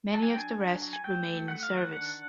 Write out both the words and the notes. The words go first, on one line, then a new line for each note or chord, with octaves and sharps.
Many of the rest remain in service.
F#3 A5
G#5
G5
D4 G#5
F#3
F#3
G#5
F#3 G5
A3
A3 F#5
F5
D#3
F#5
D4 F#5